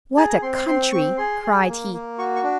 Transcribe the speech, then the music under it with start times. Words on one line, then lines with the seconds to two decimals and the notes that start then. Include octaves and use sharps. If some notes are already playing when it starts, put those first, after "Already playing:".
"What a country!" cried he.
0.17 G#4 A5
0.30 A#5
0.42 C4 C6
0.55 C6
0.67 C4 C6
0.92 C4 C#6
1.17 G#4 C6
1.43 G#4
1.69 A#3
1.93 A#3
2.18 F#4 C#6
2.36 C#6
2.43 D4